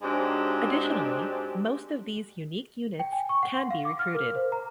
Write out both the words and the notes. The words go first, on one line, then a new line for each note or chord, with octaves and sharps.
Additionally, most of these unique units can be recruited.
G#2 F#3 G#3 C4 D4 G4
G5
G#5
C#6
F#5
C6
F5
D6
F6
A#4
C5
A#5